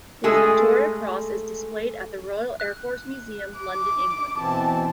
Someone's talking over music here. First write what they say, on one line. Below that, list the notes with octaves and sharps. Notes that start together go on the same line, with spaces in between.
His Victoria Cross is displayed at the Royal Air Force Museum London, England.
G#3 A3 G#4 A4
F#6
D6
B2 E3 C4 A5